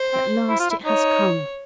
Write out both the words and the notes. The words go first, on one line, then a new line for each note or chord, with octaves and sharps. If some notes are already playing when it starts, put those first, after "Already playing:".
"At last, it has come!"
Already playing: C5
C4
E4
F4
E4
D#4 C#5